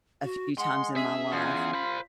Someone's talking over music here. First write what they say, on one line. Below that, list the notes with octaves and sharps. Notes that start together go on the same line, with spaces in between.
a few times in my life
F#4
G#3 F#5 C6
C#4 G#4 E5
E2 F4
C5 B5